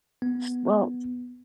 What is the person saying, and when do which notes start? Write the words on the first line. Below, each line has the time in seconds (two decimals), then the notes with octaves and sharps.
S well
0.22 B3